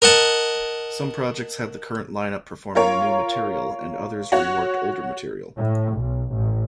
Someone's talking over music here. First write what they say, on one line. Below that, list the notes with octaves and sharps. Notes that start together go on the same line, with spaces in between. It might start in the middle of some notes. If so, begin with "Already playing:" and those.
Some projects had the current line-up performing new material and others reworked older material.
A#4 D#5 F#5 A5
F4 A#4 C#5
F#4 C#5
A2
B1
A1